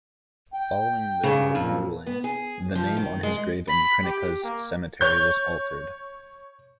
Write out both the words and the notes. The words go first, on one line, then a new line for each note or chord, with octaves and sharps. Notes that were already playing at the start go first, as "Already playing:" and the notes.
Following the court ruling, the name on his grave in Krynica's cemetery was altered.
G5
G2 C#3
F2 A#2
B3
G#4
F3
D#3
G#3
B5
G4
A#3
C#5 G6